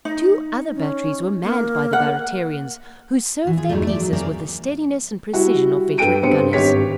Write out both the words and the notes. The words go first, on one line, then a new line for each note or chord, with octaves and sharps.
Two other batteries were manned by the Barratarians, who served their pieces with the steadiness and precision of veteran gunners.
D#4
C#4
A#3
F#5
A#2 E3
F4 G#4
F2 G#2 E3 F#3 G3 A3
A3 D5
F#3
A#3 C4 C#4 G4 G#4 A#4
G3 E4 F#4
G2 A4 B4 G5 D7 D#7
G2 B3 C4 C#7
G#1 G2 G4 C#5 B6